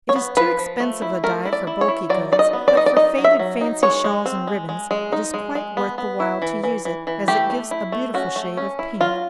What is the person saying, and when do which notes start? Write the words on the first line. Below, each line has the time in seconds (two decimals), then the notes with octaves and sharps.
It is too expensive a dye for bulky goods, but for faded fancy shawls and ribbons, it is quite worth the while to use it, as it gives a beautiful shade of pink.
0.09 C#5
0.16 B3
0.37 F3 B4
0.59 F3
0.80 A3
1.02 E4
1.24 A3 A#4
1.45 E4
1.53 D5
1.67 E4
1.81 C#5
1.88 E4
2.10 F#3 D5
2.32 D#4 D5
2.39 D#5
2.53 B3
2.68 D5
2.75 D#4 D#5
2.86 D5
2.97 D#4 D#5
3.18 F#3
3.24 E5
3.39 F#3
3.61 D#4
3.82 G#3 C#5
4.04 G#3
4.26 C4
4.47 G#3
4.69 G#3
4.91 G#3
5.12 D#4
5.34 G#3
5.55 G#3
5.77 B3
5.98 B3
6.20 E4
6.42 E3
6.63 E3
6.85 E3
7.07 E3
7.28 A3 G4
7.50 A3
7.71 E4
7.92 A3
8.14 C#4 F#4
8.36 A3
8.57 C#4
8.79 E4
9.00 F#3 F4